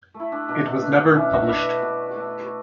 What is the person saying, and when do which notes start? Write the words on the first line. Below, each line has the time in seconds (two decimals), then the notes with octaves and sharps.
It was never published.
0.14 A3
0.20 E4
0.32 D4
0.48 B2 D4
0.65 D4
0.82 A3 D4
0.99 D4
1.15 B2 C#4 E4
1.32 D4 F#4
1.48 A3 B4 D5
1.82 B2
2.16 A3